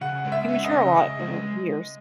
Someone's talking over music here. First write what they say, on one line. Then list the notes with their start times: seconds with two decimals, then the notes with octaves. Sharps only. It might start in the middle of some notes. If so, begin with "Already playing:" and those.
Like, you mature a lot over years.
0.01 C#3 F#5
0.25 G#3
0.32 E5
0.48 C#4
0.65 D#5
0.72 C#3
0.96 C#3
1.20 G#3